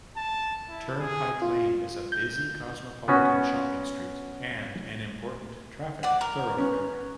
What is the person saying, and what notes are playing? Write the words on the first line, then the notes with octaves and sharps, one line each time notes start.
Turnpike Lane is a busy cosmopolitan shopping street and an important traffic thoroughfare.
A5
E4
G#4
F4
G6
B3 C#4 F#4
D5 F#5
A#4
B3 C#4